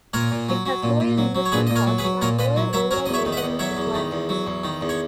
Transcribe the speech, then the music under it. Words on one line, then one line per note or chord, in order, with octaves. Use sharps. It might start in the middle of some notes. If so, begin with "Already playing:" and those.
It has lower investment costs, and lower overall maintenance requirements.
A#2 A#4 C#5
A#2
F#3
F#3
A#2
A#2
F#3
F#3
C#5
A#2 G#4 B4
A#2 D#5
A#4 C#5
F#3
G#4 B4
F#3
A#2 A#4 C#5
A#2 B4 D#5
F#3
F#3 C#5 E5
F#3 A#4 C#5
E2 D#5
C#5 E5
D#3
E5
D#5 F#5
E2
F#3 C#5 E5
E2
D#3
E2
F#3
E2
D#3
E2
C#5